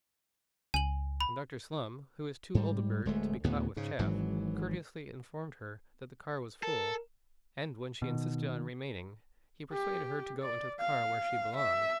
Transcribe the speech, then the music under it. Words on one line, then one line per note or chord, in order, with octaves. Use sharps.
Conductor Slum, who is too old a bird to be caught with chaff, courteously informed her that the car was full, and when she insisted on remaining, he persuaded her to go into the car where she belonged.
C#2 G#5 F#7
B5
G#2 G3
D1 G#3 A3
D2 A2 C#3 B3
G#2 C#3
G#1 G#2 E3 F#3
A4 A#4
B2 D#3
G4
D5
F5
E5